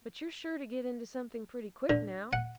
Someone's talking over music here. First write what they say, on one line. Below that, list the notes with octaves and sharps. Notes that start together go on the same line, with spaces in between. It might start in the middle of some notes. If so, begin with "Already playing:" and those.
"But you're sure to get into something pretty quick now."
D3
F#5